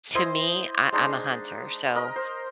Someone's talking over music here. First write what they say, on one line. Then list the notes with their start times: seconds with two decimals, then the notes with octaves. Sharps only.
to me, I I'm a hunter, so,
0.15 E4 C5 D#5 C6
0.92 G#3 D4 D#4
1.95 A#4 D#5
2.16 C5